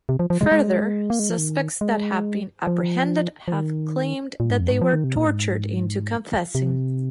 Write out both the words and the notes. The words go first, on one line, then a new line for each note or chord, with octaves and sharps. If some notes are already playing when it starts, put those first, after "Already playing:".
Further, suspects that have been apprehended have claimed that they were tortured into confessing.
C3
F3
F3
G#3
G#3
A#3
G#3
F3
D#3
G#3
F3
F3
D#3
A#2
G#2
F2
G#2
F3
D#3
C3
A#2
G#2
C3